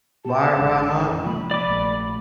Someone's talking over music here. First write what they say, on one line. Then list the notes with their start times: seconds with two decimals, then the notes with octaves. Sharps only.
Why or why not?
0.25 G4 C5 A5
0.57 A1 G#2
1.07 F1 E3 C#4
1.24 C3 F3 G#3 A#3 B5
1.51 D5 B5 D6
1.67 A#1 A3